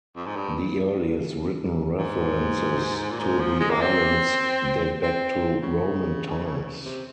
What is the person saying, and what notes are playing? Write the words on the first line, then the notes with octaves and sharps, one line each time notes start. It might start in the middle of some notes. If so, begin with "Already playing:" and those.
The earliest written references to the islands date back to Roman times.
F2
G#2
G2
G#2
A#2
G#2
F3
G#3
A#3
C4
C4
C#3
C3